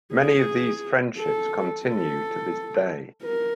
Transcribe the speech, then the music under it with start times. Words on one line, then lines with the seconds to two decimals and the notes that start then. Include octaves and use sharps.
Many of these friendships continue to this day.
0.14 G#4
1.17 A4
1.86 A4
3.24 A#4